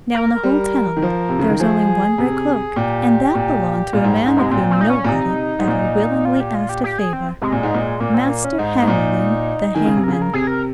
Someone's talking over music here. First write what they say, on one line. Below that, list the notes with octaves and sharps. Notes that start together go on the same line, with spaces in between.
Now in the whole town there was only one red cloak, and that belonged to a man of whom nobody ever willingly asked a favour--Master Hammerling the hangman.
A#4
G3
D#3
F3
C3
C#3
D#3
F3 G#4
C3
A#2 G4
A#2
A#2 F4
G#2 G3
G#2 G#3
C3 G#3
A#2 C4
C4
D#4
C#4
A#2
C3 D#4
G#2
A#2
F4
G4
F4
G4
G4
G#4
C4
C3 G#3
A#2
G#2
A#2
A#2 A#3
C4
A#3
C#4
G#2 D#4
G#2
A#2
D#3 G#4
C#3
C3
A#4
C#3 G#4
A#4
C3 G#4
A#4